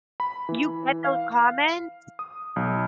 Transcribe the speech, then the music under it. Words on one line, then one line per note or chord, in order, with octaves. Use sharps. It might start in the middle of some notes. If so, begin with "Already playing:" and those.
You get those comments?
B5
E3
F5
D#6
B1